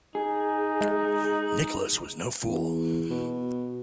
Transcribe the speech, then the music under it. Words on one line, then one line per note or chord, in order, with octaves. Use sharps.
Nicholas was no fool.
D#4 G#4
G#3
E2
B2